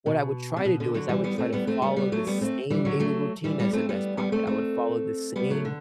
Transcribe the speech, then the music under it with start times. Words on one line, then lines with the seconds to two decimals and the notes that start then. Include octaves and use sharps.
what I would try to do is I would try to follow the same daily routine as the best pilot, I would follow the same
0.06 B2
0.57 C3
0.65 B2
0.80 B2 D3
0.94 D3 F#3
1.09 E3 G3
1.24 G3 B3
1.38 A3 C4
1.53 G3 B3
1.67 A3 C4
1.82 G3 B3
1.96 G3 B3
2.12 F#3 A3
2.27 G3 B3
2.41 A3 C4
2.70 E3 G3
2.85 D3 F#3
3.00 F#3 A3
3.44 E3 G3
3.59 G3 B3
3.73 A3 C4
3.89 G3 B3
4.17 G3 B3
4.32 A3 C4
4.47 A3 C4
5.36 G3 B3
5.50 F#3 A3
5.65 D3